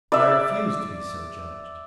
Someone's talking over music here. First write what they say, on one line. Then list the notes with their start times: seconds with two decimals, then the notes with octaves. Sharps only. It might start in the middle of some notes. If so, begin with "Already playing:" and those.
But I refused to be so judged.
0.12 D5 E5